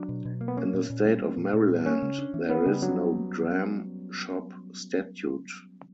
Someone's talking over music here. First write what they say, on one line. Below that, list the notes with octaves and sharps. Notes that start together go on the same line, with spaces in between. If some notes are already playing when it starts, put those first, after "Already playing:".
In the state of Maryland there is no dram shop statute.
Already playing: F#3 D4
B2
B2
A#3
B3
A#3 C#4
A#2
A#2
G3
A#3
A#2
A#2
G3
A#3 C#4
C#3
D4
E3
A#3 B3
C#3 G3
F#3 D4